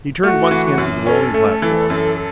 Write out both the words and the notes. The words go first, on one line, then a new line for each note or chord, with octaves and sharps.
He turned once again to the rolling platform.
A3 F#4
E3
F#2
C#4 A4
A3
E3
F#2